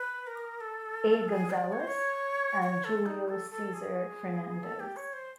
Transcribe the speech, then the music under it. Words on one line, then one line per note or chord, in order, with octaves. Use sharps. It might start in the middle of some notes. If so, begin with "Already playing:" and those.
A. Gonzalez, and Julio Cesar Fernandez.
Already playing: B4
A#4
A4
G#4
D5
C#5
C5
C#5
C#5
A4
D#4
A4
A4
G#4
A4
G4
C#5
C5